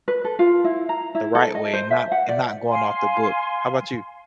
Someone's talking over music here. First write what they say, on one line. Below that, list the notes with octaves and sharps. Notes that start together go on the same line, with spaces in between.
the right way and not and not going off the book. How 'bout you?
B4
A4
F4
E4
A#5
E4
A4
D#5
C5
E5
F#5
D5
F5 G#5 C6